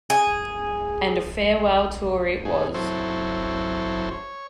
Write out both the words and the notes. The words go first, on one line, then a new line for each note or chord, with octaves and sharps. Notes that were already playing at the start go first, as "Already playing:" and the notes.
And a farewell tour it was.
G#4
A3 G#4
F#3 C4 E4 A4 C5 C#5
C#5